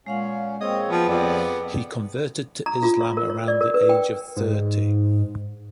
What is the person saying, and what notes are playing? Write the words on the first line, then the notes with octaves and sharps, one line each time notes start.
He converted to Islam around the age of thirty.
A#2 G#3 C#4 F5 F#5
A#2 C4 G#4 C#5 D#5 G5
F3 B3
F2 D5
A#5
F4
C#5
A#4
C#5
D5
A#4
B4
G5
G#2